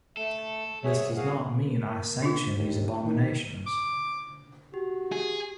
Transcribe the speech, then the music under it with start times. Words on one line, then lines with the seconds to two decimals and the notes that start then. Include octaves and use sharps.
This does not mean I sanction these abominations.
0.17 A3 A4
0.84 C2 G#4 C#5 E5
1.16 F#4 G#4 F5
1.60 A#3
2.22 D4 F4
2.55 D#2
3.04 D#3
3.66 D6
4.74 F#4 G4
5.12 G#4